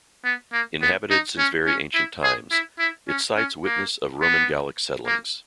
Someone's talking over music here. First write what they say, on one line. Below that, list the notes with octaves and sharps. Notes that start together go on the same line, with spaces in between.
Inhabited since very ancient times, its sites witness of Roman-Gallic settlings.
B3
A#3
B3
D#4
C#4
C#4
E4
G#4
E4
E4
C#4
C#4
A#3
B3
A#3